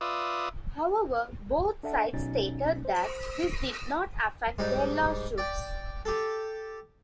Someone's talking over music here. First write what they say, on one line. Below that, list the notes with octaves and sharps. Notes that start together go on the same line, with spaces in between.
However, both sides stated that this did not affect their lawsuits.
F4 B4 D5 E5 D#6
D4 A4 E5 F#5 A5
B1 B2 C#4 D#4 A6
C5
G#2 G3 D#4
D5 G5
G4 A4